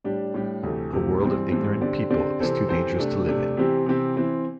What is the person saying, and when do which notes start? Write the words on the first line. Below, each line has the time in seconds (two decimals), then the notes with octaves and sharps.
A world of ignorant people is too dangerous to live in.
0.04 A2 G3 D4 G4
0.34 A2 G3 D4 G4
0.63 D2 C3 E3 A3
0.93 D2 C3 E3 A3
1.22 G2 E3 G3 C4
1.51 G2 E3 G3 C4
1.81 D3 C4 G4 D5
2.10 D3 C4 G4 D5
2.40 C3 E3 C4 A4 C5
2.69 C3 E3 C4 A4 C5
2.98 C3 A3 D4
3.28 C3 A3 D4
3.57 C3 E3 C4 G4
3.86 C3 E3 C4 G4
4.16 E3 C4 E4